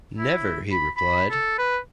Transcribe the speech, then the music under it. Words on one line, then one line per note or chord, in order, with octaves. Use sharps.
'Never,' he replied.
E4
B5
B5
A4
B4